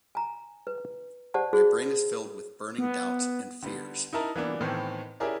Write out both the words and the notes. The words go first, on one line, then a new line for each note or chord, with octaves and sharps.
My brain is filled with burning doubts and fears.
G#5 A#5
B4
G4 C5 D5 F#5 A5
F#4 G#4 C5
B3
D3 G3 B3
D#4 E4 A#4 A5 A#5
E3 A#3 B3 D4
A2 D#3 E3 B3 C4
C#4 E4 G4 G#4 A#4 D5